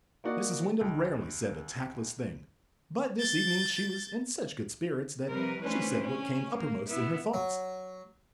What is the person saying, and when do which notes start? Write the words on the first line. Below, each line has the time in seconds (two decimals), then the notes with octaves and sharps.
Mrs. Wyndham rarely said a tactless thing, but this evening she was in such good spirits that she said what came uppermost in her thoughts.
0.24 A#3 D#4 F#4 D5
0.81 C#2
3.19 G6 A6
5.29 C3 F3 G3 A#4 B4
5.60 E3 A3 C#4 D4 B4 C5
6.01 C#4
6.58 A#3
6.90 B3 E4 E5
7.34 F#3